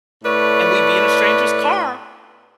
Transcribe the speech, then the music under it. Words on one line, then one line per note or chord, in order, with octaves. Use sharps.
and we'd be in a stranger's car
A2 A3 B4 C#5 D5